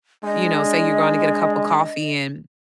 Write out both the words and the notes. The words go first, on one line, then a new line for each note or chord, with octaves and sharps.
You know, say you're going to get a cup of coffee, and
G#3 D4 D#5